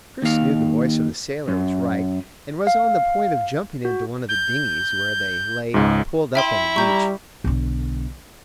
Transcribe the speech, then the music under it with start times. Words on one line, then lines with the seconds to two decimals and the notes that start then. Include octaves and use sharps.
Chris knew the voice of the sailor was right, and was on the point of jumping into one of the dinghies, where they lay pulled up on the beach.
0.22 D#2 F5
1.48 F#2
2.67 F5
3.85 F#4
4.29 G6
5.74 C#2 G#2
6.35 E4 E5 G5 C6
6.76 G3 A#5 C#6 G6
7.44 B1 D3